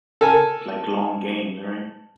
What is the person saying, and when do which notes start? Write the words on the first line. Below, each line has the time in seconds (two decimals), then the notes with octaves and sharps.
like, long games, right?
0.21 A4 A#4 G#5